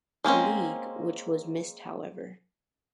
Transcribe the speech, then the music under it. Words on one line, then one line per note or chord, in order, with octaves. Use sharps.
League, which was missed however.
G#3 A#3 C4 C#4